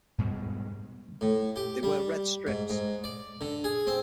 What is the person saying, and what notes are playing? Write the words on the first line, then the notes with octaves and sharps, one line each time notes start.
They wear red strips.
G#2 B2 G3 G#3
A2
G4
G3
G#2
G#2
D5
D3
G#4
C4